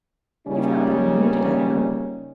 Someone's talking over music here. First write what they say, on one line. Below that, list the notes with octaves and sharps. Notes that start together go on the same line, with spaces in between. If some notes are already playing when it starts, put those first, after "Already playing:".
"You have not been wounded, I hope?"
A#2 C#3 G3 C#4 D#4